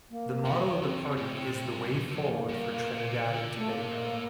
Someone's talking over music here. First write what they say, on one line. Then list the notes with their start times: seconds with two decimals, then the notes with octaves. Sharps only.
The motto of the party is The way forward for Trinidad and Tobago.
0.10 A#3
0.46 F2
0.82 F2 C4
1.17 A2
1.35 A2
1.53 A2
1.72 G2
1.90 F2
2.08 F2
2.26 A#3
2.49 G2
2.73 A#2
2.97 C3
3.15 D3
3.33 D3
3.51 D3
3.57 A3
3.69 C3 A#3
3.87 A#2
4.05 A2